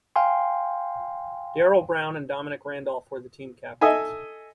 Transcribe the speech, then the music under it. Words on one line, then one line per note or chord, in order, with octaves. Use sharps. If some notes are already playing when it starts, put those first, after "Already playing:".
Daryl Brown and Dominic Randolph were the team captains.
F5 G5 G#5 C6
A4 D#5 E5 G#5